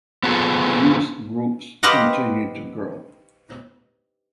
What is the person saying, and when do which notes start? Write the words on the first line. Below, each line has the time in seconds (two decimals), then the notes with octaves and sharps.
The youth groups continue to grow.
0.23 B3 F4 G#4 A4
1.83 G4 B4 C5 D#5 F5 F#5